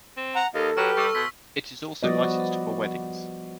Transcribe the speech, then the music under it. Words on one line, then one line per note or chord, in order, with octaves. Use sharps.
It is also licensed for weddings.
C4
F#5 A#5
D#2 A4 D#5 F5
F#3 G4 B4 F6
G3 C#6 E6
B2 C6 B6
F3 G3 B3 F#4 D5 D#5